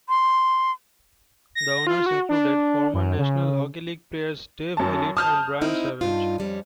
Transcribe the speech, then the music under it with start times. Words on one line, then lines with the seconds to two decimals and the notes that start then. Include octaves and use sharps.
The owners included former National Hockey League players Dave Ellett and Brian Savage.
0.09 C6
1.55 A#6
1.87 F4
2.06 F#4
2.29 D4
2.94 F#2
3.19 C#3
4.77 F#2 A5
5.17 A5 D#6 F6 G6
5.61 C4 D#4 E4
6.01 G2 D#4 F4
6.38 F2 G3 C#4